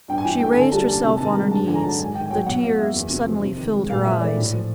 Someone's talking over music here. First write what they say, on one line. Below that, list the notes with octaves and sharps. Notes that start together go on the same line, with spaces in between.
She raised herself on her knees; the tears suddenly filled her eyes.
G2 G5
G#5
E3 G5
A3 G5
G#5
D3 A5
G3 A5
A#3 A5
C3 A5
D#3 A5
A#5
G#3
G2 A5
D3 G#5
A#5
F#3 A5
G#2 G#5
D#3 G5
G#5
F#3 G5
B2 F#5
F#3 F5
A#3 E5
E2
C3
F3
C3
D#3
G#3
A#2 F5
F3 E5
A3 D5
A2
F3